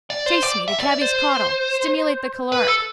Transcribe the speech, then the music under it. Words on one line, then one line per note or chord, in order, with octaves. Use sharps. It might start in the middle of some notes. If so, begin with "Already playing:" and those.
Chase me, the cabby's caudle. Stimulate the caloric.
D5
C5
D5
E5
D5
C5
B4
A4